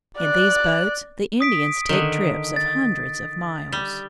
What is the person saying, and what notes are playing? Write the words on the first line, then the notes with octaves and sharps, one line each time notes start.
In these boats the Indians take trips of hundreds of miles.
D5 F#6
D#6 B6 D7
D3 D#3
A6
G3